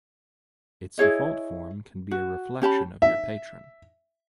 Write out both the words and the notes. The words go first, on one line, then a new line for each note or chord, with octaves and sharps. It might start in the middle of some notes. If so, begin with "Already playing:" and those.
Its default form can be a reflection of your patron.
E4 G#4 C#5 D#5
F#4
C#4 G4 A5 B5
E5